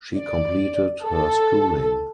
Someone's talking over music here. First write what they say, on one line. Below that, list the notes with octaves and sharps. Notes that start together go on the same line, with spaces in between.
She completed her schooling.
D5
A4